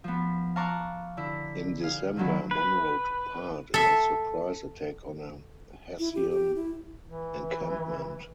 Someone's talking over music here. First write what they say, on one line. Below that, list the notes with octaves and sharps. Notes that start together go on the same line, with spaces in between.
In December, Monroe took part in a surprise attack on a Hessian encampment.
F3 B3
F5 A5 A#5 C#6 D6 F#6
D3 D4 E4
G#4 F5
D3 D#3 F#3 B3
B4
A4 E5
E4
G4
G4
E4
E3